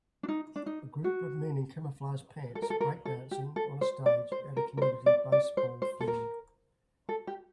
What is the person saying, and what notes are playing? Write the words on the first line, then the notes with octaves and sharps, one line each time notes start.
A group of men in camouflage pants, breakdancing on a stage at a community baseball field.
D4
D#4
D4
D#4
F#4
A4
A#4
A4
A#4
A4
G4
A4
C5
D5
C5
A#4
A#4
C5
D5
D5
C5
C5
A4
A#4
A4
G4